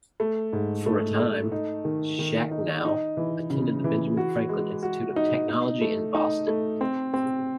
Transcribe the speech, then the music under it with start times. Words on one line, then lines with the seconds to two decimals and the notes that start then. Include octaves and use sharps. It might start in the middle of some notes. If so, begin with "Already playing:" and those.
For a time, Shachnow attended the Benjamin Franklin Institute of Technology in Boston.
0.20 A3
0.53 G#2
0.86 A3
1.20 A3
1.52 D#4
1.85 D#3
2.19 D#3
2.51 D#4
2.85 D#4
3.17 E3
3.50 C#3
3.84 E3
4.17 F#4
4.49 G#3
4.83 F#4
5.16 D#4
5.49 D#4
5.81 A3
6.15 D#4
6.47 A3
6.81 C4
7.14 C4